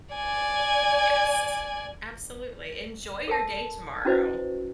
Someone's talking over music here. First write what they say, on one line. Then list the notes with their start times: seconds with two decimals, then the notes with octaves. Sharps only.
Yes. Absolutely, enjoy your day tomorrow.
0.15 D5 G#5
3.28 A4 A#4 A5
4.05 C#4 E4 F#4 B4 C5 D#5